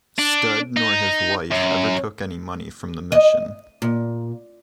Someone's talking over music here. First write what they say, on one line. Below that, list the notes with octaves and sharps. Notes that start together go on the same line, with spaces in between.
Studd nor his wife ever took any money from the mission.
D4
D#4
F#2
D#5
A#2